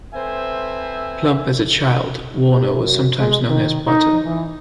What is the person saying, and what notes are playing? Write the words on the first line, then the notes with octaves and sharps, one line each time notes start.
Plump as a child, Warner was sometimes known as "Butter".
C4 A4 B4 C5 E5 G#5
C3
F#2
G#3
D#3
D#4
E3